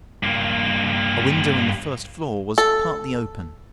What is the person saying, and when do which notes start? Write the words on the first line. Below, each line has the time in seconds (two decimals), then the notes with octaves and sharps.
A window on the first floor was partly open.
0.23 G2 A#3
2.58 A4